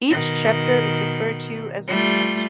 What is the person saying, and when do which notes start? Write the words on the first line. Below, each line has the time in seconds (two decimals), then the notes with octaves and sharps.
Each chapter is referred to as a movement.
0.10 B2 D#3
1.88 G3 A3 F4